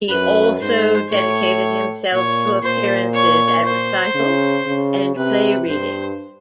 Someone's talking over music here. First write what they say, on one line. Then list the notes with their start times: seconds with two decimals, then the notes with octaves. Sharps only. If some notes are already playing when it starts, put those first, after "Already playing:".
He also dedicated himself to appearances at recitals and play readings.
0.10 F#2 B4
0.60 G#2 C5
1.11 A2 C#5
2.13 A#2 C#5
2.63 A#2 C5
3.14 C#5
3.64 C5
4.15 C#3
4.66 C#3
5.16 C3 B4
5.67 G2 C5